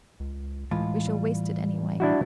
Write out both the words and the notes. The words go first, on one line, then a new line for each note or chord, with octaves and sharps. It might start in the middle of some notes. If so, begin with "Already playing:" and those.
We shall waste it anyway....
C#2
A2 E3 G#3 F4
G3
D4 E4 F#4